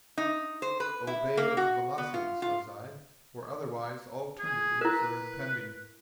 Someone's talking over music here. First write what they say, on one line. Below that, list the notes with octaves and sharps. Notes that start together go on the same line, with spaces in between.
Obey with velocity,' says I, 'for otherwise alternatives are impending.
D#4
C5
B4
E4
A#3
F#4
B3
F4
F4
G#4
E4 A#4 B4